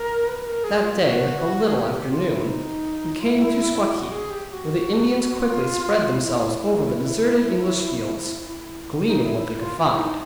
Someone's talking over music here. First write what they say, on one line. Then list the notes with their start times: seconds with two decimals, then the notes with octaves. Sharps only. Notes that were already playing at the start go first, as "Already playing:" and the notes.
That day, a little after noon, we came to Squakeag, where the Indians quickly spread themselves over the deserted English fields, gleaning what they could find.
Already playing: A#4
0.28 B4
0.45 A#4
0.64 G#4
0.83 F4
1.01 G4
1.05 F#4
1.67 G#4
1.75 G4
1.92 G4
2.11 F4
2.29 E4
2.47 D#4
3.20 F4
3.24 E4
3.94 F#4
4.11 G#4
4.30 G4
4.49 G4
4.53 F#4
5.40 F4
6.13 E4
9.05 D#4
9.24 E4
9.43 E4
9.60 F4
9.79 E4
9.97 D#4